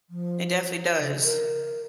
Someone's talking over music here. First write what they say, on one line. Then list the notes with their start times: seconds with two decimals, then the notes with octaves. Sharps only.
It definitely does.
0.10 F3
1.00 C#3
1.24 A#4